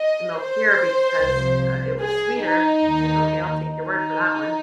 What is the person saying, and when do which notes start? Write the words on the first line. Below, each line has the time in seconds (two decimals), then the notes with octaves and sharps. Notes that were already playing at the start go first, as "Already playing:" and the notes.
the milk here because, uh, it was sweeter." It's like, "Okay, I'll take your word for that one."
Already playing: D#5
0.36 C5
1.18 C2 C3 F3
2.02 G#4
2.44 D#4
2.85 D#2 D#3
3.69 D#4